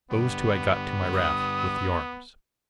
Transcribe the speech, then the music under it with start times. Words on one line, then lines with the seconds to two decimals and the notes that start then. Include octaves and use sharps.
Those two I got to my raft, with the arms.
0.11 G2 D3 B3
1.13 D#6